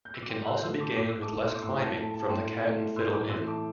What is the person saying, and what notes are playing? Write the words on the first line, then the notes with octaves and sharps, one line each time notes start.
It can also be gained with less climbing from the Cat and Fiddle Inn.
G6
E6
D6
A2 G5 C6
C6 E6
G6
A3 C6 E6
A5 D6
A2 D6
E6
A5 D6
A3
C6
D6
A2 C6 E6
G5
A5
A3 A5
A5
A2 G5 C6
A3
A2 C6 E6
D6 G6
E3 A3 C6 E6
A5 D6